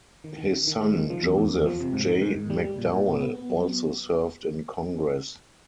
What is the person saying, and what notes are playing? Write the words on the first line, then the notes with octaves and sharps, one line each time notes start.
His son Joseph J. McDowell also served in Congress.
D#3
D#3
D#3
D#3
G#3
D#3
F3
E2
E2
E2
F3
C3
G#2
D#3
G#2
G#2
G3
G3
A#2
A#2
B3
B3
B3
F#3
B3